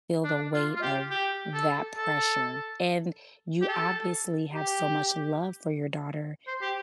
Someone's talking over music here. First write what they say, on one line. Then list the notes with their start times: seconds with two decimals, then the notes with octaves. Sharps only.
feel the weight of that pressure, and you obviously have so much love for your daughter,
0.24 D4
0.53 F4
0.76 F4
0.82 G4
1.11 G4
1.54 A4
1.97 A4
3.62 G4
3.69 A4
4.54 G4
6.47 C5
6.62 G4